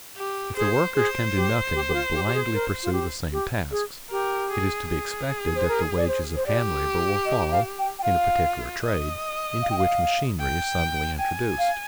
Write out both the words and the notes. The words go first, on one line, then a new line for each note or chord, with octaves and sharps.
If the workers can do nothing but blindly pursue the same tasks, it is to be expected that the wages of hand-labor will fall in a particular trade into which machinery is suddenly introduced.
G4
G#4 C5
G#4 C5
G4
G4
G4
F4
G4
G4
G#4
A#4
F4
G4
G4
G#4
G4 A#4
G#4
G#4
C5
A#4
D5
C5
C5
G4 D5
D#5
F5
G5
G5
F4 F5
D#5
F5
G5
F5
G5
G5 G#5
F5